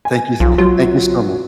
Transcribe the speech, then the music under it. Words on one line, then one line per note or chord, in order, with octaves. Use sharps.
Thank you s thank you so much.
G#5
B1 F3
F#3 F4